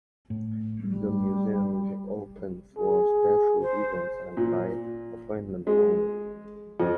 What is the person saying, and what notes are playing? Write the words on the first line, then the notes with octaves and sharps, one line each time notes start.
The museum is open for special events and by appointment only.
A2
G3
G#4
C5
A#2
G#3
F2